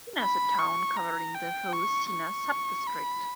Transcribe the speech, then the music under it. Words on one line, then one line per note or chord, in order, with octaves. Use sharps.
Sena is a town covering the whole Sena sub-district.
B5
C#6
A#5
G5
C#6
C#6
B5